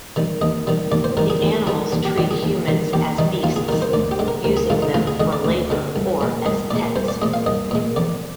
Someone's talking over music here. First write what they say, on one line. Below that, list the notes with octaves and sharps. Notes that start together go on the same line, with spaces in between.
The animals treat humans as beasts, using them for labor or as pets.
D#3 G3
D#2 D#5
D#3 G3
D#2 D5
C5
D#3 G3 A#4
G#4
D#2
D#3 G3 G#4
D#2 D4
G4
D#3 G3 G4
G#4
D#2
D#3 G3
D#2 G4
D#3 G3 D#4
D#2 F4
G#4
D#3 G3 A#4
C5
D2 D5
G4
D3 G#3
A#4
D2 A#4
G#4
D3 G#3 F4
D#4
D2 F4
G#4
D3 G#3 D#5
D5
D2
D3 G#3
C2
A#2 G#3
C2 D#5
A#2 G#3 D5
C2 C5
D5
A#2 G#3 D#5
F5
C2 D#5
A#2 G#3
F2 D5